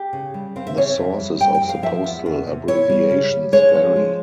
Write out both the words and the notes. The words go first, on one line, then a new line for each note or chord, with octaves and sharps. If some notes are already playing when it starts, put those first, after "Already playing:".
The sources of the postal abbreviations vary.
Already playing: G4
C#3
G3
C4 F5
E5
C#3 C#5
E5
F2
G3
G3 G5
G5
F2
F5
F3 E5
E2
E2
C3
E4 C#5
G3
C#3
G3
G#3 C#5
F3
G#3